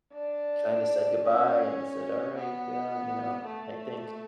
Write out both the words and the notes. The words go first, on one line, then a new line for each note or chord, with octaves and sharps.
kinda said goodbye and said, "Alright, yeah, you know? I think
D4
C#4
B3
A3